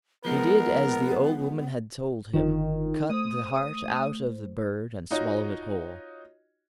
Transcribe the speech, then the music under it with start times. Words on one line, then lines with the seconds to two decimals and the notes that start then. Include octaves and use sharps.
He did as the Old Woman had told him, cut the heart out of the bird and swallowed it whole.
0.25 F3 G#3 B3 D#4 A#4
2.34 G1 D3 D#3 F4
3.10 A3 C5 D#6
5.11 D#4 F4 F#4 C#5 D#5